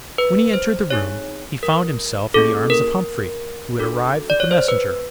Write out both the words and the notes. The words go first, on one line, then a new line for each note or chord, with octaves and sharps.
When he entered the room, he found himself in the arms of Humphrey, who had arrived with the messenger.
B4
C5
C4 D#4 G#4 C#5
A#4
A#3 C#4 E4 G#4 A4
A#4
D4 F#4 A4
D5
C#5
C5
B4